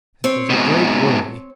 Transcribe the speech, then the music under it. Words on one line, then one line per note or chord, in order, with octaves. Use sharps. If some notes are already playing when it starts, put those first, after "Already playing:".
It was a great worry.
C4 C#5
G#2 B2